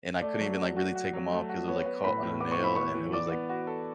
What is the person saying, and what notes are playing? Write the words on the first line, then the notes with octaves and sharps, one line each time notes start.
and I couldn't even, like, really take 'em off 'cause it was like caught on a nail, and it was, like,
A3 D5
F#3
F#4
F#4
F#4
F#3
A3
F#4
B3 C#5
B3
A2 B5
A2
B3 D6
C#6
E4 B5
B3 C#6
E3
D5 D6
B3
F#4
A4